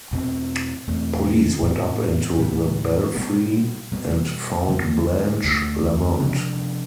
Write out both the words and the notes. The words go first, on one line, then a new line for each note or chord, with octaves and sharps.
Police went up into the belfry and found Blanche Lamont.
E2 B2 A3 C4
E2 B2 A3 C4
A2 G3 B3
A2 G3 B3
B2 G3 B3
B2 G3 B3
D2 D3 F3 A3
D2 D3 F3 A3
C3 F3 B3 D4